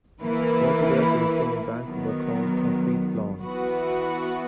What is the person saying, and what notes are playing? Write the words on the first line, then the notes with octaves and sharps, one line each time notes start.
He also directed a film in Vancouver, called Concrete Blondes.
E3 A#3 E4 B4
D#3 F#3 B3
E3 B3 F#4 B4